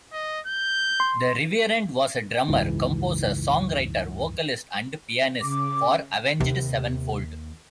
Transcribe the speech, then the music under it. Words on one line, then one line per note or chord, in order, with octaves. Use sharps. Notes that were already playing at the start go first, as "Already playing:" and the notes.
The Reverend was a drummer, composer, songwriter, vocalist and pianist for Avenged Sevenfold.
D#5
G6
C6
F#1 C#2 G#2 E3
C#3 D6
D#2 C3